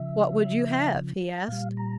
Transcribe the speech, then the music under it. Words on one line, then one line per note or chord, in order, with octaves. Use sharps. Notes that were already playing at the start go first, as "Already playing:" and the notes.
"What would you have?" he asked.
Already playing: C#3 F3 E5
A#2 G3 F5
A#5